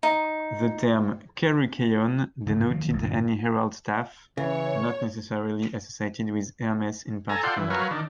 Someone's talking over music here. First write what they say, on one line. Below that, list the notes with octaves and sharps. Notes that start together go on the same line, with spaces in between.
The term "kerukeion" denoted any herald's staff, not necessarily associated with Hermes in particular.
D#4
G#2 C#3
D#3 F3 F#3 A#3
F1 A#1
G1 B2 D4
C#3 E3 C#5
A4 G#5 A#5
F4 A4 D5 F#5 G5 C6
E3
F#3 A#4 B4 C#5 F5
D#3 D4